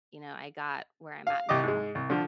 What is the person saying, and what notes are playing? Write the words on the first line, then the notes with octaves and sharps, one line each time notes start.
you know, I got where I'm at now,
F5
C2 G4 D#5 D6
G#2 G#3
C2
D3 F3